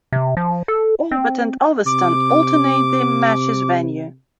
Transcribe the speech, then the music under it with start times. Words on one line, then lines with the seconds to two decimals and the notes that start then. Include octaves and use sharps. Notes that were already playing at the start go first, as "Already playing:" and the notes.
Albert and Ulverston alternate the match's venue.
0.12 C3
0.37 F3
0.68 A4
1.11 C4
1.86 C3 D6